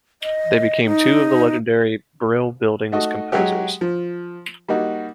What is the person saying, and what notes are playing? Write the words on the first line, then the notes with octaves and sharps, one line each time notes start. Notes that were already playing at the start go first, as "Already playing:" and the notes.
They became two of the legendary Brill Building's composers.
D#5
D#4
A3 D#4 F#4 D#5
F#3 G#3 F#4 G4
F3
G3 A#3 D#4 F#4